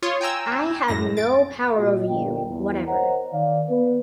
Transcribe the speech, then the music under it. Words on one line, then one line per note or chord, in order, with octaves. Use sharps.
I have no power over you whatever.
F4 C#5 C6 D#6
G5 G#5 A#5 E6
F#2 A2 A#6
A6 D7
A#2 F4 F#4 D#5
G1 A#2 G5
E2
A#4 C5 C#5 D#5 F#5 A#5
D#3 D5 F5
B3 B4